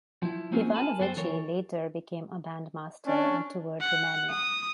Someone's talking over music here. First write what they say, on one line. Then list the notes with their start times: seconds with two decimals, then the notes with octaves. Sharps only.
Ivanovici later became a bandmaster, and toured Romania.
0.23 F3 E4
0.52 A#3 C4 C#4 F4 F#4 G#4
0.75 A#4 G#5 A5 B5
1.00 F#2 B3 F#4 A4 C5 G5
1.17 E3 A4 A#4 C#5
3.06 C#4 D4
3.80 F#5
4.30 D#6